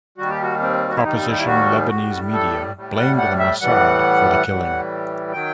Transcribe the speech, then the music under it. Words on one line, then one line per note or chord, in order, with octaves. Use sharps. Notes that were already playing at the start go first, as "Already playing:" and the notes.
Opposition Lebanese media blamed the Mossad for the killing.
D#2 D#3 G3 F#4
G4
F#4
C4
F#4
E4
D#2 D#3 G3 D#4
C4
D#4
E4
F#4
A2 G3 F#4
A4
A2 G3
F#5
F#5
E5
A2 E3 G3 F#5
A2 E3 G3
D#3 F#3 G5